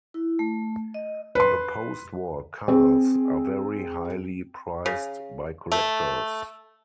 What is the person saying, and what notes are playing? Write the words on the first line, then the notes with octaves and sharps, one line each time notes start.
The post-war cars are very highly prized by collectors.
E4
A3
D#5
B4 C6
C4 G#4
C#3
A3